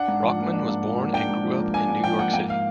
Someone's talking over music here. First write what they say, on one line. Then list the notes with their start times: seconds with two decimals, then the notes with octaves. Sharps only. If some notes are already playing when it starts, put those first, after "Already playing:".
Rockman was born and grew up in New York City.
Already playing: D4 F#5
0.08 G#2
0.23 F3
0.38 A#3
0.54 D4
0.69 G#2
0.84 F3
0.99 A#3
1.13 D4 G5
1.29 G#2
1.44 F3
1.59 A#3
1.74 D4 G#5
1.89 G#2
2.04 F3 G5
2.19 A#3 F#5
2.34 G#2 G5
2.50 F5